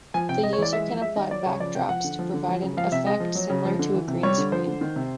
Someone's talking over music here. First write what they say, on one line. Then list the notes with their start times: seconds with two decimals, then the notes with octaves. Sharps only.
The user can apply backdrops to provide an effect similar to a green screen.
0.14 F3 G#5
0.29 C3 G5
0.43 G#3 D#5
0.53 C#5
0.58 E3 D5
0.73 G#3 E5
0.87 F3
1.02 G#3 E5
1.16 D#3 D#5
1.31 F#3 D5
1.46 C#3 C#5
1.60 F3 D5
1.74 C3 G5
1.89 F3 F#5
2.04 D3
2.19 F3
2.34 D3
2.48 F3
2.63 C#3
2.77 F3 F5
2.92 C3 E5
3.06 G#3 D#5
3.20 F3
3.35 F#3
3.50 C#3
3.65 F3
3.79 D3
3.94 E3
4.08 C3
4.23 G3 C#5
4.38 D3
4.52 F3 C5
4.67 D3
4.81 D#3
4.96 C3